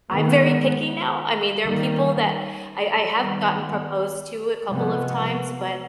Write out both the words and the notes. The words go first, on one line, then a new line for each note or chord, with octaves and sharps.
I'm very picky now. I mean, there are people that I I have gotten proposed to a couple of times, but
D#3 G#3 B3
D#3 G3 A#3
D#3 G3 B3
C3 F3 G#3 B3